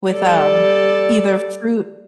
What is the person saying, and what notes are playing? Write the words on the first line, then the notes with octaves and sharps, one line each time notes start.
with, um, either fruit
G3 A4 D5